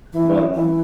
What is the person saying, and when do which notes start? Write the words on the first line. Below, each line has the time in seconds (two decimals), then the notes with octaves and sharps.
But, um
0.13 E3
0.54 E3